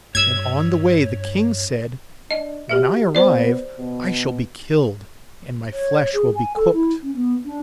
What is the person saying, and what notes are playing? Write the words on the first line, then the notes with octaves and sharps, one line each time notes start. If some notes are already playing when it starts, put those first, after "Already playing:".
And on the way the King said, 'When I arrive, I shall be killed, and my flesh will be cooked.
G2 C#5 E6 G#6
D4 D#5
F#4 G4 E5
B3 C5 D5
B2
C#5
G#4
G#5
A4
E4
C#4
B3
D4